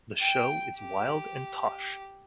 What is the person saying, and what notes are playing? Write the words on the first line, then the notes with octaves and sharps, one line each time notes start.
The show is Wilde and Tausch.
G5
G4